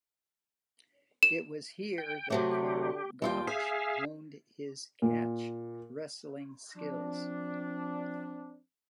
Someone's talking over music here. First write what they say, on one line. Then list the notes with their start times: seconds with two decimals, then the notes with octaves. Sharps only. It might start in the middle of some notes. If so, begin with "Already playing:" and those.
It was here that Karl Gotch honed his catch wrestling skills.
1.23 E7
1.98 G5
2.30 C3 F#3 A3 G4
3.22 D#2 G3 F4 G5
3.47 G#4 E5 F5 G#5
5.02 A#2
6.76 F3 C4 D4